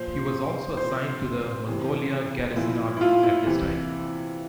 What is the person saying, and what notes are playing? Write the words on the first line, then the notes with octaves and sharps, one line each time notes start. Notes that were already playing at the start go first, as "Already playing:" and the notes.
He was also assigned to the Mongolia Garrison Army at this time.
Already playing: A#2 F3 C5
C3 F3 C5
C3 E3
A#2 F3 E4
E4
F4
E4
C3 E3